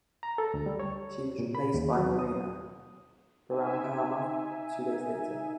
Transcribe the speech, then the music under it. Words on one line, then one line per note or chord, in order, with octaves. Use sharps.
She was replaced by Marina Barampama two days later.
A#5
A4
D2
G3
C#5
A#2
B5
D#2
F#3
D#6
D#4 E5 G#5